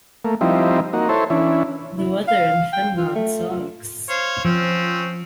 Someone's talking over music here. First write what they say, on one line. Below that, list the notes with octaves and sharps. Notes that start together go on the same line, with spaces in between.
The weather in Finland sucks.
A3 A#3
F3 G3 C4 D#4 E4
A#3 D#4 F#4
E4 A4 C5 C#5
E3 C#4 D4 E4
E4
F5
G5
F4
A3
F4
C5 C#5 F5
F3 C4 C#4